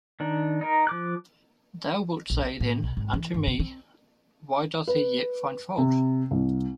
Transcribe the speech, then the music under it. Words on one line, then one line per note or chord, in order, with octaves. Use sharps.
Thou wilt say then unto me, Why doth He yet find fault?
D#3 D4
D#4 A#4
F3 D6 F#6
A#1
C#4
A2
B1
G#1
E3
G1
C#3
C4
B4
C3
C2